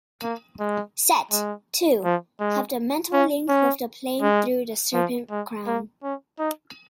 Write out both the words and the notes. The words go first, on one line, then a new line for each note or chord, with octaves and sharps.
Set, too, kept a mental link with the plane through the Serpent Crown.
A#3
G#3
G#3
F3
G#3
C#4
C#4
G#3
F3
G#3
A#3
C#4
D#4